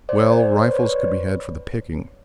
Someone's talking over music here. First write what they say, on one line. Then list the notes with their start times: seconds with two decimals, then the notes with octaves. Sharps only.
Well, rifles could be had for the picking.
0.09 C5 D5
0.40 C5 D5
0.71 B4 C#5